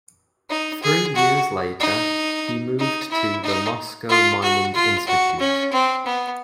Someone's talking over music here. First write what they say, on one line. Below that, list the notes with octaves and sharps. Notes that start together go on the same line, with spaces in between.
Three years later, he moved to the Moscow Mining Institute.
D#4
G#4
F#4
D#4
D#4
E4
D#4
F4
F#4
F4
F#4
C#4
C4
B3